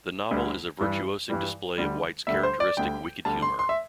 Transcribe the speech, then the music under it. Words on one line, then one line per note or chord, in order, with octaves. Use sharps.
The novel is a virtuosic display of White's characteristic "wicked" humour.
D2 D3 G3
G2 E3 G3
G2 E3 G3
D2 D3 G3
D2 D3 G3 E5
C5
D5
D2 D3 G3 G5
D2 D3 G3 A5
C6
C6
E5